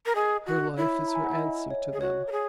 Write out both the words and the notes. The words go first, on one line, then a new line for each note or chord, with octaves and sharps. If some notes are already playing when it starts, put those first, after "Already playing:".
Her life is her answer to them.
A#4
G#4 D#5
F#4
E4 C#5
A#5
G#5
F#5
E5
D#5
C#5
G#4
F#4 C#5
A#4
G#4